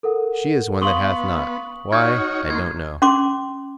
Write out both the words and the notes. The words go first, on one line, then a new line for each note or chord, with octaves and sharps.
She is one that hath not; why, I don't know.
A4 A#4 F#5
B3 F5 C6 C#6 D#6 F#7
D#4 F#4 C#5 C#6 F6 G6 G#6
A#3 D#4 C6 G#6
C#4 C6 D6